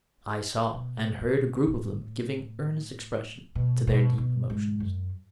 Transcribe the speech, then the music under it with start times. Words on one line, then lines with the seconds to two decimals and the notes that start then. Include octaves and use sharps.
I saw and heard a group of them giving earnest expression to their deep emotions.
0.74 B2
1.21 B2
1.67 A2
3.55 B2
3.87 B2
4.18 B2
4.50 G#2
4.80 F#2